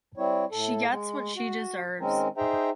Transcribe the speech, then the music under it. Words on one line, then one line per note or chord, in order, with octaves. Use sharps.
She gets what she deserves.
G3 C4 E4 C#5
A2 A4
G#3
F#4
D#3 G#3 C4 C#4 A#4
D#4 G#4 C5 E5 G5 A#5